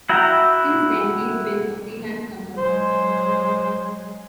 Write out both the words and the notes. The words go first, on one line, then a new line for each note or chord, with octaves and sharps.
Since then, he has been a freelance consultant.
E4 F#4 E5 G5 A#5
F#3 G#3 C5